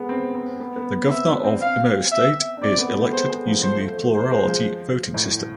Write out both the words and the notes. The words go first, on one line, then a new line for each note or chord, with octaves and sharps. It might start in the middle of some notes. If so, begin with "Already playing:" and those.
The Governor of Imo State is elected using the plurality voting system.
Already playing: G#3 B3
C4
C4
B3
B3
C4 E5
D4
C4
F5
E5
D4
C4 D5
B3
A3
G#3 C5
G#3
F3
F3 C5
A3
A3
A3 C5
G#3
F3
A2